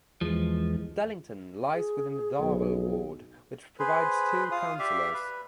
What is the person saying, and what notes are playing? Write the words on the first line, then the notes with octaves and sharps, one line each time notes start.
Dallington lies within the Darwell ward, which provides two councillors.
E2 E3 F3 G#3
G#4
B1
G#4 B4 C5
F4 F5 D#6
G4 D5 E5 F5
B4